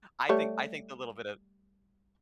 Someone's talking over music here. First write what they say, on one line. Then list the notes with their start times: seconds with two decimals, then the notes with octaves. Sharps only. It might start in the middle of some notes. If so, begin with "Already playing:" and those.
I think I think the little bit of
0.29 G3 A3 C#5